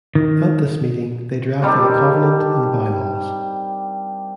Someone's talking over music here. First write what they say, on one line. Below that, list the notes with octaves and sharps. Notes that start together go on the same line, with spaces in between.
At this meeting, they drafted a covenant and bylaws.
D#3
D#3 G3 C4 D4